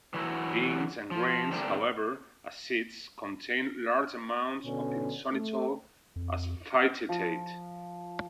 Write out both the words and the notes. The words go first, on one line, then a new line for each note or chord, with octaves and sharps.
Beans and grains, however, as seeds, contain large amounts of inositol as phytate.
E3 F#3 A3 E4 F#4
F3
D3 G3 A3 A#3 C4 D4
B2 D3 C#4
A3
F2
F3